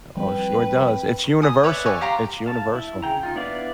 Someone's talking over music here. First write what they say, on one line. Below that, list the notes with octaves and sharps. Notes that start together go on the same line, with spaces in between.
Oh, it sure does. It's universal, it's universal.
F3 G3 C4 B4 G5
G#5 D#6
B4 C#5 D5 E5
C#5 D5 G#5 C#6
G4 F5 A#5 C6
F5 A5
E4
C#3 G5 A#5
D#4 F4
B3 D4 E4 D5 F5